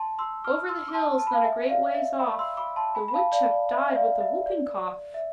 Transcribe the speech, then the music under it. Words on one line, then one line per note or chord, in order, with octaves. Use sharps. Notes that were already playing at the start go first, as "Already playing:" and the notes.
"Over the hills, not a great ways off, The woodchuck died with the whooping-cough!"
Already playing: A5 C6
C6 E6
D6 F6
C6 E6
D6
A5 C6
A5
B5
F5 A5
E5 G#5
D5 F5
E5
G#5 B5
C6 E6
B5 D6
A5 C6
G#5 B5
B5
F5 A5
D5 F5
D5
E5
E5
D5 F5
E5
D5
E5